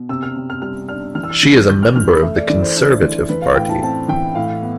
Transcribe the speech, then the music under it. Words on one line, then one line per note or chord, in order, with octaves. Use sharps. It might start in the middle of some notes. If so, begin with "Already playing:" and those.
She is a member of the Conservative Party.
Already playing: B2
C3 E6
F6
C3
F6
G3 F6
D4 F6
E3 F6
E6
F6
E3
E3 G6
F6
E3 F6
B5
A3 E5
D5
E3 D5
C5
D4
E3
E3 B4
F5
A2 G5
A5
C4 A5
E3 G5
A2 F5
B3